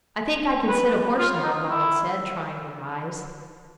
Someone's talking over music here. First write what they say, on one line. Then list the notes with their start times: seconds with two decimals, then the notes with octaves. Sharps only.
"I think I can sit a horse now," Ronald said, trying to rise.
0.68 B4
1.19 F4
1.43 D#4
1.69 E4